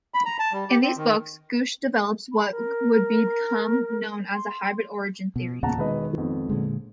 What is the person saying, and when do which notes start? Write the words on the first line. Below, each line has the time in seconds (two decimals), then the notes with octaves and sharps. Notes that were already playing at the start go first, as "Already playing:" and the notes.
In these books, Gooch develops what would become known as the "hybrid-origin theory".
0.14 B5
0.25 A#5
0.39 A5
0.53 G3
0.69 G4
0.82 C4
0.97 D#3
2.32 B5
2.51 A#4
4.34 C6
5.36 B2
5.63 E2 A#2 C#3 F#5 A5 A#5
5.78 E1 D#3 B4 D#5
6.17 G#1 F2 B3
6.49 A#2 D3 G#3